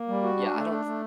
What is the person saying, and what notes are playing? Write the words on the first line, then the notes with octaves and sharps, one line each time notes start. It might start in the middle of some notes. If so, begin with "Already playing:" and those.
Yeah, I don't th
Already playing: A#3
G3
F#4
D4
A3
D4
A3